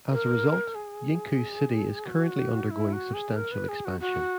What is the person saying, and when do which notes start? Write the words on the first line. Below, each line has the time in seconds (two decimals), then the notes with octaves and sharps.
As a result, Yingkou city is currently undergoing substantial expansion.
0.10 A#4
0.75 G#4
2.06 F#4
2.71 E4
2.93 F#4
3.14 G#4
3.36 A#4
3.52 B4
3.69 G#4
3.85 F#4
4.00 F#4